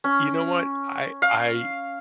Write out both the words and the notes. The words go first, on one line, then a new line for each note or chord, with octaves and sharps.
You know what? I I i
C#4
F5